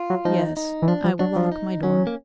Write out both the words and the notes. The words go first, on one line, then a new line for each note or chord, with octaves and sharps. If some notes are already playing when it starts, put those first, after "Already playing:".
'Yes, I will lock my door.'
Already playing: F4
F#3
F3 D#4
D#4
E3
F3 D4
F3
F#3 D4
F3
D#4
F#3 C#4
A#3